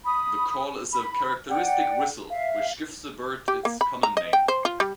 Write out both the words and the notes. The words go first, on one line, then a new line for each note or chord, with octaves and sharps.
The call is a characteristic whistle which gives the bird its common name.
B5 D#6
B5
D5 F#5 G5
E5 F5
G4
A#3
B5
A#5
D#5
G5
C5
F4
G3